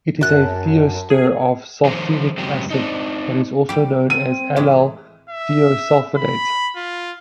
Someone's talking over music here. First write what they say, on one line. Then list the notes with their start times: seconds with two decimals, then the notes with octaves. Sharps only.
It is a thioester of sulfenic acid and is also known as allyl thiosulfinate.
0.21 F#2 A5 F#6
1.10 G#4
1.85 D3 E3 F#3 C5 A#5
2.38 F#2 C#3 F#3 G#3 C4 G4
2.70 C4 D4 D#4
3.69 G3 G4
4.10 C4 D#7
4.56 A2 E3 G#3
5.30 E5
6.16 B5
6.76 F4